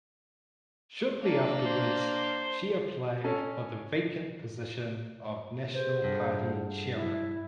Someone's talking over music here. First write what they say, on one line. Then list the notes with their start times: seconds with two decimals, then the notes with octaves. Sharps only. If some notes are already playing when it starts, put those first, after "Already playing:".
Shortly afterwards she applied for the vacant position of national party chairman.
1.22 A#3 D4
1.65 C5
3.24 C#4 A4
5.73 G4 G#4 B4 C5
6.04 G2 G#4 A4 F#5
6.95 E4